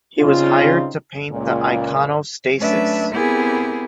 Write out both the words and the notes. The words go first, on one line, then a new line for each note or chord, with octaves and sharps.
He was hired to paint the iconostasis.
C#3 G3 C4 D#4 F4
C#2 A#2
F#3 A3 C#4 D4 B4 E5
B3 C4 E4 G4 G#4 A#4